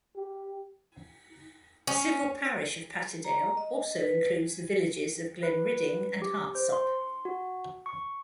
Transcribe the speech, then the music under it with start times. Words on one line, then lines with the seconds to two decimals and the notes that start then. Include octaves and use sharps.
The civil parish of Patterdale also includes the villages of Glenridding and Hartsop.
0.16 G4
1.87 C#4
3.24 A#5
3.57 D#5
3.98 B4
5.43 B4
6.22 G4
6.55 C5
6.72 C6
7.25 F#4
7.86 C#6